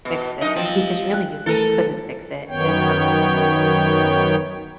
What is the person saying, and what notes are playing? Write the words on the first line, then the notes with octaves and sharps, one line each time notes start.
fix this?" 'Cause because really, you you couldn't fix it, and um, I
B2
F#2 D#4 D#5
F3 C4
G4
G5 F#6
E3 A3 A4 A#4 D#7
F#2 D#3 B3 C#5 G5